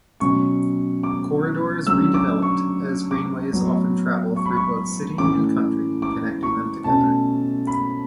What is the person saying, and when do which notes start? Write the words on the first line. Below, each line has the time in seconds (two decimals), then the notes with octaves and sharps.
Corridors redeveloped as greenways often travel through both city and country, connecting them together.
0.20 B2 F#3 C#4 C#6
1.03 D6
1.87 D3 F#3 C#4 E6
2.14 D6
2.42 C#6
3.11 D6
3.53 A2 F#3 B3
4.36 C#6
4.46 B5
4.56 C#6
5.18 A2 E3 A3 C#4 D6
6.02 D6
6.43 C#6
6.84 B2 A3 C#4 A5
7.67 B5